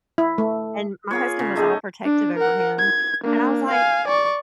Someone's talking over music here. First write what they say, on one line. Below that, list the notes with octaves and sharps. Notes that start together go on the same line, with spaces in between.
And my husband was all protective over him. And I was like,
E4
A3
A#3 F4 G#4 C#5
C#3
A3 D#4 G#4 D#5
D4
A#4 F#5
G#6
A#3 D4
F5 G#5
D5 C#6